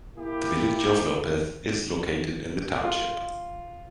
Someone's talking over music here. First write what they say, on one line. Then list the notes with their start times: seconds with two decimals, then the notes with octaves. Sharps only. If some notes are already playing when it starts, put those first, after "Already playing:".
The village of Lopez is located in the township.
0.17 A#3 E4 G4
2.84 F4